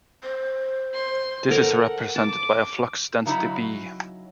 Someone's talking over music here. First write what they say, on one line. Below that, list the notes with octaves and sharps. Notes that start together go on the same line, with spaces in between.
This is represented by a flux density B.
C5
C6
A4 A#4 F#5
A5 D6
C#3 F#3 D#4 E4